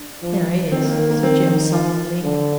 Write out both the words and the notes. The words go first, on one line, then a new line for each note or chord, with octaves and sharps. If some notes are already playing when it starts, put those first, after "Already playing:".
"There is," said Jim solemnly.
Already playing: D4
F3
D#3 C4
A#3
A#3
A#3
C4
D#4
F4
D3